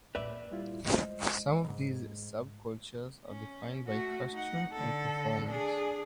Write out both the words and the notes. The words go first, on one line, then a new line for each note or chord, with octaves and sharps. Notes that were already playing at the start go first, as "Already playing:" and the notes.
Some of these sub-cultures are defined by costume and performance.
A#1 A#2 B4 D5 E5
G3 E4 F4
G#3 A3 C5 D#5
B1 G#2
C#4
A3 F#4
D#4 F#5
D3 A4
D4 G#4